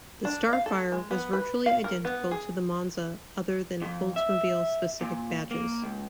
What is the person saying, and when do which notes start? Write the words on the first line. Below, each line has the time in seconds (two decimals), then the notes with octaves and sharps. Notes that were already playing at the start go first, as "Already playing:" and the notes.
The Starfire was virtually identical to the Monza other than Oldsmobile specific badges.
0.25 D4
0.53 F5
0.66 A4
0.92 G#3
1.11 B3
1.33 B4
1.66 F5
1.84 A#4
2.05 B3
2.31 G#4
3.82 F2
4.16 E5
5.01 A#2
5.51 A#3
5.82 C#2